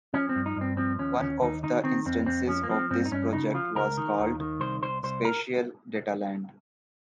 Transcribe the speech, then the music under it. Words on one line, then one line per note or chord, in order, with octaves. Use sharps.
One of the instances of this project was called Spatial Dataland.
F3 C#4
C4
G2
D#4
G2 C4
F3 C4
D#2 C#4
D#2 C#4
D#2 D#4
D#3 D#4
D#3 C4
F2 C4
F2 C4
F3 C#4
A#3
F3 C4
G2 C4
D#4
G2 C#4
C#3 D#4
F3 F4
C#2 A#4
D#3
D#2
D#3
C2 C5
C2 C5
C2 C5
A#4